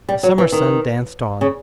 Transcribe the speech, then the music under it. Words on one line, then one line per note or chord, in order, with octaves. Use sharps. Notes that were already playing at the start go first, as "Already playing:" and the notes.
The summer sun danced on.
G3
F#3
E3
D#3
C#3